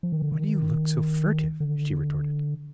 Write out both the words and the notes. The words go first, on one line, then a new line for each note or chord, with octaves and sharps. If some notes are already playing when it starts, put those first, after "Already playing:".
"Why do you look so furtive?" she retorted.
F3
D#3
D3
D#3
D3